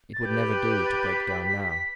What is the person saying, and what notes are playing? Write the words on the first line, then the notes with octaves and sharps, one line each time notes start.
It would never do to break down now.
A6
G4 B4 G6
G6
G6
A6
B6
B6
B6
B6